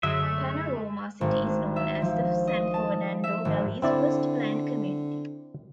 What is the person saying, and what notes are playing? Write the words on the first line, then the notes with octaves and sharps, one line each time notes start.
Panorama City is known as the San Fernando Valley's first planned community.
F#2 D3 F#3 G#3 E5
G#3 A3
G#1
D4
E5
F3
D#5
A5
E5
G#1
D3 C4 E4 D5